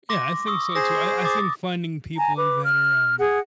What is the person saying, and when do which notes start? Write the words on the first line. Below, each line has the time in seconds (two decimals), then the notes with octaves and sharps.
Yeah. I think so too. I I think finding people that are, um
0.09 C6 D6 A#6
0.47 C#6 D#6 E6
0.75 G#4 C5 A#6
1.24 D6 D#6 A6
2.17 G#5 A#5
2.37 B4 D6
2.64 F6
3.19 G#4 F#5